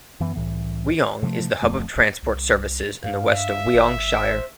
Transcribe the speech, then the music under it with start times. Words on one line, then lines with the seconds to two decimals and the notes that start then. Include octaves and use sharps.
Wyong is the hub of transport services in the west of Wyong Shire.
0.20 F#2 E3 B3
0.36 C2 A2 E3
1.22 C3 F3 G3 A3
1.62 D1 F2 A3
2.23 C2
3.04 G2 F5
3.33 E5
3.74 G#1
4.20 C5